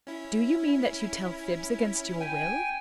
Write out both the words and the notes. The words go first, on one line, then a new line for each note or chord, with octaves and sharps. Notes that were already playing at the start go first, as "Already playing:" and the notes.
"Do you mean that you tell fibs against your will?"
C#4 E4
G5 G#5